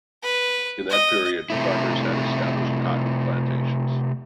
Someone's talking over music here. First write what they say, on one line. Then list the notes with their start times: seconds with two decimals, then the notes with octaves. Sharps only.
In that period, farmers had established cotton plantations.
0.22 B4
0.90 D#5
1.50 C3 A3 E4